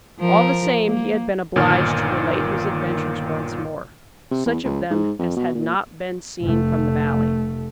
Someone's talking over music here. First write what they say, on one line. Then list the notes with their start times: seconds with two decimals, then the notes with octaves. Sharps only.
All the same he had been obliged to relate his adventures once more-- such of them as had not been seen from the valley.
0.19 F3 A#4
0.87 A#3
1.56 G1 A#2 D#3 G#5 F6
4.31 C3
4.45 E2
4.64 C#2
4.90 G#2
5.19 F2
5.36 B2
5.55 A#2
6.41 F1 A3